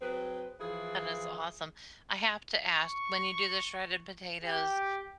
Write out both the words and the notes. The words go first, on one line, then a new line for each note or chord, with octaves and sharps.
That is awesome. I have to ask. When you do the shredded potatoes,
F#3 C4 G#4 B4
E3 F3 E4 G#4
C#6
G4